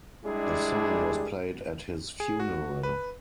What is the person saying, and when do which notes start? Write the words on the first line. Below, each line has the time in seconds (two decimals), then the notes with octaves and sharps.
The song was played at his funeral.
0.24 G3 G#3 D4 E4 G4 G#4
2.20 G#4
2.40 F#4
2.83 B4